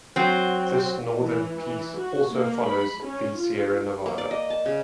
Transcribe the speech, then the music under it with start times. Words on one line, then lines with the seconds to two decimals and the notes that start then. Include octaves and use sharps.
This northern piece also follows the Sierra Nevada.
0.16 F#3 C4
1.20 E3
1.60 E3
1.98 F#4
2.32 A#3
2.68 B5
3.04 C#4
3.38 F4
4.06 A#3
4.18 D5
4.31 D#5
4.50 A5
4.66 C#3